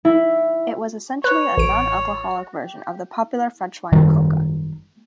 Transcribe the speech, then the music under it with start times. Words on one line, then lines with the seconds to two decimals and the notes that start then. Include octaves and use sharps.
It was essentially a non-alcoholic version of the popular French wine coca.
0.05 E4
1.24 B4 C#5
1.57 A1 D7
3.92 G#1 F#2 D#3 G3